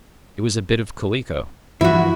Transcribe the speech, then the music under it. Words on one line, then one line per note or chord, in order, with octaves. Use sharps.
It was a bit of calico....
G2 E3 F3 E4 F#4